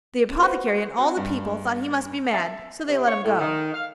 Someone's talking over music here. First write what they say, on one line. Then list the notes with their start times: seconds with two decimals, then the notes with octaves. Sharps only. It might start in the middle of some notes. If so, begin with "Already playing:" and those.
The apothecary and all the people thought he must be mad, so they let him go.
0.40 F#4 B4 C5
0.98 C4 F#4
1.17 G2
2.32 E5 A5 A6
2.87 C3
3.07 C#5
3.23 A2
3.39 D#3
3.73 F5